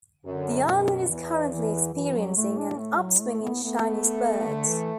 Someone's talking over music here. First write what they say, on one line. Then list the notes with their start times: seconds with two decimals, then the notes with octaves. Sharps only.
The island is currently experiencing an upswing in Chinese births.
0.25 F#2 D3
0.67 F#2 B2
1.09 E2 E3
1.51 E3
1.94 F#2 E3
2.16 F#3
2.36 A2 A3
2.58 D4
2.78 A3
3.00 F#3
3.21 A3
3.42 B3
3.63 A3 B3
4.48 D3
4.69 E3